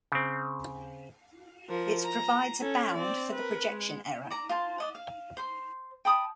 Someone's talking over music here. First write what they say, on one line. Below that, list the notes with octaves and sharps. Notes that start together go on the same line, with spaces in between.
It provides a bound for the projection error.
C#3 C4
F3 A#4
A#5
C#4 A4
C4 D5
A#4 B4
G#3
D5 A#5
F4 C5 A5
D5 D#5 F#5
F5
C5 C6
G5 A5 B5 D#6